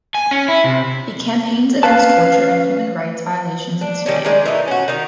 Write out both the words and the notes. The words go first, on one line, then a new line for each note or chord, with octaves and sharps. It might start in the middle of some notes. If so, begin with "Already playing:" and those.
He campaigns against torture and human rights violations in Sudan.
G#5
C#4
E4
C3
C#4 B4 F5 A5
D4
D#3 G3 C#4
D#3 G#3 D5
E3 A3 D#4
C#4 F#4
D#3 D#4